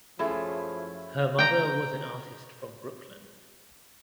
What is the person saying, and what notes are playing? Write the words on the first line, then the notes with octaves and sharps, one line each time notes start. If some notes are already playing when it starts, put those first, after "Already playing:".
Her mother was an artist from Brooklyn.
F#2 F3 A3 E4 F4 G#4
G5 A#5